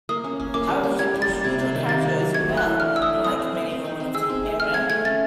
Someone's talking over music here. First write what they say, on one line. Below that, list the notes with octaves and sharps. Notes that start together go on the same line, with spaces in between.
However, she pursued her career as well, unlike many women of the era.
A#3 D#6
C#4
C#4
A#3 D6
G3
A#3
G4 G#6
A#3
A6
G3
C3 G#6
C3
D#3
C3 A6
A#3
F#3
A3 G#6
A3
F#6
E3
D4 F6
A3 E6
D#6
A3
C4 D#6
C4
C4
C4
D#4
C4
G#4 E6
C4
A3
G#4 F6
C4 G#6
A3 G#6
C#4 A6